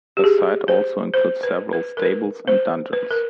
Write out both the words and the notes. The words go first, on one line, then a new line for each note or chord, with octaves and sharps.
The site also includes several stables and dungeons.
G4
G#4
C5
C5
B4
B4
A#4
B4
C5
B4
A#4